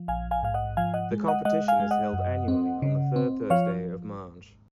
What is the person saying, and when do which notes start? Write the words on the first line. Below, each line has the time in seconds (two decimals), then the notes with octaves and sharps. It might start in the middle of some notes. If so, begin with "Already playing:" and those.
The competition is held annually on the third Thursday of March.
Already playing: F3
0.08 A#1 F5 G#5
0.31 F5 G#5
0.43 G#2 F5
0.54 D#5 F#5
0.77 F3 F5 G#5
0.94 D#5 F#5
1.11 G#3
1.28 D#5 F#5
1.45 G#3 D#5 F#5
1.68 F5 G#5
1.80 G#3
1.91 D#5 F#5
2.13 F#2
2.48 C4
2.82 C#3
3.16 C4
3.50 F3 C#5 F5